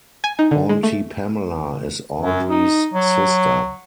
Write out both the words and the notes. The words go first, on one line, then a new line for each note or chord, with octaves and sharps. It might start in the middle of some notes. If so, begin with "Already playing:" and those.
Auntie Pamela is Audrey's sister.
G#5
D#4
D3
G#3
A3
F#2
D#4
F#3